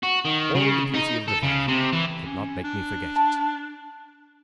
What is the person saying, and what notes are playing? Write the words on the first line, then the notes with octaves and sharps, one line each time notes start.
All the beauty of the valley could not make me forget it.
F#4
D#3
C#3
D#4
A4
C#3
C3
E3
C#4
D4
A5